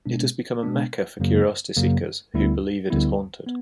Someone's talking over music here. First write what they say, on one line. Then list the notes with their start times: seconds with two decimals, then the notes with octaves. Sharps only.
It has become a mecca for curiosity seekers who believe it is haunted.
0.06 B2 G#3 B3 D4
0.63 B2 G#3 B3 D4
1.19 F#2 C#3 F#3 A#3
1.76 F#2 C#3 F#3 A#3
2.34 D2 D3 G3 B3 E4
2.90 D2 D3 G3 B3 E4
3.46 B3